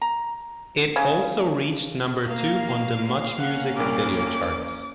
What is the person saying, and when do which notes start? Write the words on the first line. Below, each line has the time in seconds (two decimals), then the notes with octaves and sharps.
It also reached number two on the "MuchMusic" video charts.
0.01 A#5
0.96 C#3
2.27 A#3 F5
3.38 A#3 C#4 F#5
3.76 C2 A#2 D6